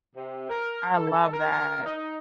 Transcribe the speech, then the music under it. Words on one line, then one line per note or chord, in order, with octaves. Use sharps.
I love that.
C3
A#4
A4
A#4
D#4